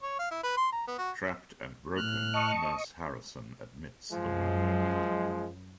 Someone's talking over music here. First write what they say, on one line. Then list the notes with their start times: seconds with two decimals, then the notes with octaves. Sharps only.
Trapped and broken, Nurse Harrison admits the murder.
0.02 C#5
0.19 F5
0.31 E4
0.43 B4
0.57 C6
0.72 A#5
0.87 B3
0.98 F#4
1.97 A2 F6 F#6
2.34 D#5 A5 C#6
4.11 F#2 F3 G#3